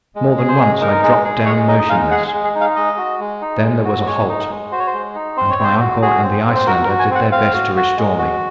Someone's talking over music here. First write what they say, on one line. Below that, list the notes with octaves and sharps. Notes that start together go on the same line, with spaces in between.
More than once I dropped down motionless. Then there was a halt; and my uncle and the Icelander did their best to restore me.
G#3
G#4
C5
G#3
D#4 A#4
G#3
G#4
G#3 C#5
D#4 D#5
D#5
G#3 F5
G#4 F#5
G#4
G#3
G#4
D#4
F5
G#3 D#5
F#4
G#3
D#4
G#3
F#4
G#3 C#5
D#4
G#3
F#4 C5
C#5
C5
G#3
D#4
C4 C5
C#5
C4 C5
F#4
F#4 G#4
C4
C4
C5
F#4 A#4
A#4
F#4
G#5
C4 F#5
C4 F5
F#4
F#4
G#3
F#4